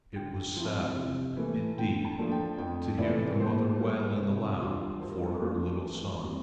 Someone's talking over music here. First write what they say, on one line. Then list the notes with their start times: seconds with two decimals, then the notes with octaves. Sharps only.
It was sad, indeed, to hear the mother wailing aloud for her little son.
0.16 D3 G5
0.56 F3 C4 E4
0.96 C3
1.36 E3 A3
1.77 D3 G5
2.05 A5
2.18 F3 A3 D4
2.31 G5
2.58 F2 G5
2.98 C3 E3 A3 E4 D5
3.30 A#4
3.39 A#2 C5
3.80 G3 A#3
4.20 C3
4.60 G3 D4 F4
5.00 G2 C5
5.11 A#4
5.23 A4
5.33 A#4
5.41 F3 A3 D4 F4
5.82 E3
6.22 G3 C4